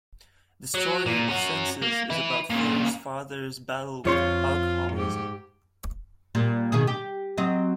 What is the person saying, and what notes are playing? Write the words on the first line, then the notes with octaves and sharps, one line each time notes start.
"Destroyer of Senses" is about Fair's father's battle with alcoholism.
F#3
A#2
C#4 F#4
A#3
E4 B4
A#2 C#3
F2 F4 C#5 C6
G#2 G4
A#2 G3
B2 D#3 G#4
G4
F#3 C4 D#5